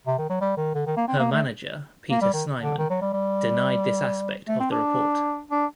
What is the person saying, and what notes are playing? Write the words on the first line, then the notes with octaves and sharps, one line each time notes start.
Her manager, Peter Snyman, denied this aspect of the report.
C3
D#3
F#3
G3
D#3
D3
D#3
A#3
C4
A#3
A3
A#3
G3
D#3
D3
D#3
F#3
G3
G3
A3
C4
D4
D4